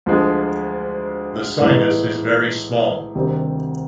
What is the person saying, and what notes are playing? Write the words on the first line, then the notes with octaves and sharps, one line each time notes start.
The sinus is very small.
D2 D3 F3 G#3
A2 E3 G#3 B3 D#4
D2 C3 D#3 G3 C4